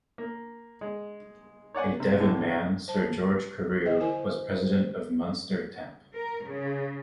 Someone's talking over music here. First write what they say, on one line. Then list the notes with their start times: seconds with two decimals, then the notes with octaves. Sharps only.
A Devon man, Sir George Carew was President of Munster temp.
0.18 A#3
0.81 G#3
1.75 C#5 D5 F#5 G#5
2.00 C3
2.19 A2 D3 E3
2.88 C5 A5
3.86 D3 C5 D#5 G5
4.00 E4 A#4 C5 G#5
6.14 A#4
6.45 C#3